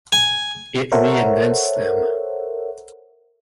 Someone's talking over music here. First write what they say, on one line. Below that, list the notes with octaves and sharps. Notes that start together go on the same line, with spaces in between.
It reinvents them.
G#5
A4 A#4 C5 C#5 E5 F#5